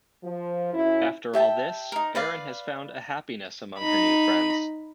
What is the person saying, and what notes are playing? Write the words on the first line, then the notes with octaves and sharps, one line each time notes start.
After all this, Erin has found a happiness among her new friends.
F3
F#2 C#4 E4
G4 E5 G5 A5
D#4 A#4
B4 D5 F5
D#4 B5